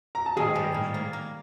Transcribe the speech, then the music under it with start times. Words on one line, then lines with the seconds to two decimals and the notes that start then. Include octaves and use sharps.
Okay, for sure.
0.15 A#5
0.26 A5
0.37 D#3 G#4 G#5
0.55 G3
0.74 A#3
0.94 A#3
1.13 A#3